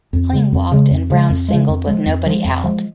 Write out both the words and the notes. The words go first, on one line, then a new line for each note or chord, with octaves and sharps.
Kling walked and Brown singled with nobody out.
F2
C#3 G#3
F2
C#3 G#3
F2
C#3 G#3
F2
C#3 G#3
F2
F3 G#3
F2
F3 G#3
F2
F3 G#3